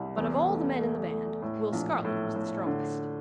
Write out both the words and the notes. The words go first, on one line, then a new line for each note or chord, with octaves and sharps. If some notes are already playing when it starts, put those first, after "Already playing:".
But of all the men in the band, Will Scarlet was the strongest.
Already playing: C2 G3
E2
A3
A3
A3
A2
A#1
A2
A2
D3